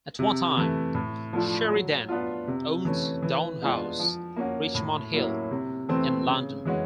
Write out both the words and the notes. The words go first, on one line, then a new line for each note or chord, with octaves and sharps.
At one time Sheridan owned Downe House, Richmond Hill in London.
C3
E3 A3
A2
F3 A3 D4 F4
F#3
B3 D4 F4
C3
E3 A3 C#4
E3
G#3 B3 D4 F4
F3
A#3 C#4 F#4
A2
F#3 A#3 C#4 E4
C3
E3 A3 C4
C#3
E3 G#3 C#4 F#4